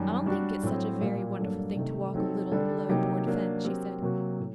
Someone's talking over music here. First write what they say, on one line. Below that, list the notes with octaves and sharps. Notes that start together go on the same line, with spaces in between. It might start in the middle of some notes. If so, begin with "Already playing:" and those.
"I don't think it's such a very wonderful thing to walk a little, low, board fence," she said.
Already playing: F#2 D#3 G3
G3 D4 F#4
A2 F#3 C4
A#2 G3 A#3
G2 F#3 A#3 D4 A4
C3 D#3 A3 D#4
F#3 C4 D#4 A4
D3 G3 D4 A4
C3 F#3 A#3 D#4 G4
F#3 A#3 D4
F#3 C4 G4 A#4
C3 F#3 A#3 F#4
A2